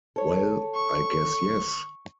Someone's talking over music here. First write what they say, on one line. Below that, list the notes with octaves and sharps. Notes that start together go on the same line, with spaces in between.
Well, I guess yes!
A4 C#5
C#6